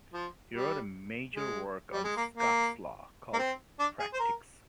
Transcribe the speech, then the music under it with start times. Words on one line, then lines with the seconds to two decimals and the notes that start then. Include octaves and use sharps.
He wrote a major work on Scots law, called "Practicks".
0.13 F3
0.54 G3
1.35 G#3
1.92 G3
2.04 G#3
2.17 A#3
2.37 A#3
3.33 A#3
3.39 C4
3.79 D4
4.00 G#4
4.13 C5
4.20 A#4